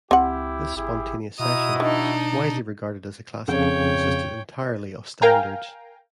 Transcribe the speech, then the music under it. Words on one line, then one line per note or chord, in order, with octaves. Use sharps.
This spontaneous session, widely regarded as a classic, consisted entirely of standards.
C#2 C4 E4 G4 F#5
G#1 E4 G4 G#4
B2 E4 F#4 D#5 A#5 D#6
D#3 D4 D#4
F2 C#3 C#5 F5 G5
A#4 F5 G5 G#5 A#5